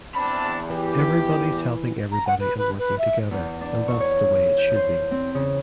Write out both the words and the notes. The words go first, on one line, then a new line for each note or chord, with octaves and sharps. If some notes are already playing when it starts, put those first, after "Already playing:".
Everybody’s helping everybody and working together, and that’s the way it should be.
E2 C4 D4 A5 B5
E3 G4
A#5
F#5
B4
B4
B4
E5
E2
D4
C#6
C#5
G6
C5
C4
C#3